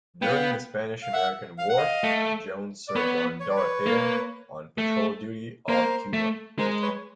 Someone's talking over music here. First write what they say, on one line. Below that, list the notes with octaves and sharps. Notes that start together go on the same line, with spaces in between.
During the Spanish-American War Jones served on "Dorothea" on patrol duty off Cuba.
B3 F5 G5
F5
E5 F#5
F5
F#5
D#5 F5
A3
D5
B3 B4 C#5
C#5
D5
B4 C#5
A#3
A3
A#3 A#4 C5
A3
G#3 A#4 C5
B4 C#5